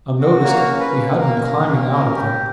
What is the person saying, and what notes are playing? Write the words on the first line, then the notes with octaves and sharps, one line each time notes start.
Unnoticed, we had been climbing out of them.
F#4
A#3 A#4 C#5
C#4
B4
A#3
A#3 A#4
C#4
A#3
C#4
G4